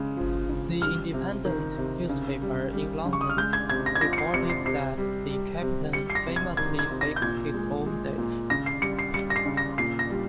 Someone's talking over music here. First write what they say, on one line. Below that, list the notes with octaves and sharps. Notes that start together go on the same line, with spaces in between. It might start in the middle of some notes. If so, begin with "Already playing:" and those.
The Independent newspaper in London reported that the Captain famously faked his own death.
Already playing: C#3 G#3
F3
C#3
G3 F6
C3
D#3
C3
C#3
G3
G3
C#3
C#6
D#6
F6
G#3 G6
G#6
C3 G#6
A#6
G#6
F3 A#6
C#7
C7
C3 C#7
C7
C3 C7
G3
G3
C3
G3 C#7
C7
A#6
C3
G#6
D#3 G#6
G#6
C3
A#6
G6
A#2 G#6
G#3
G#3
A#2
C#3 A#6
C7
G3 C#7
C7
G3 C#7
A#6
C7
C#3
A#6
A#2 C7
A#6
G3